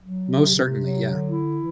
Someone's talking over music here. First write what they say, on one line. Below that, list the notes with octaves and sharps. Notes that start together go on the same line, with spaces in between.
Most certainly, yeah.
F#3
C3
C3
F#3
D3
E4
E3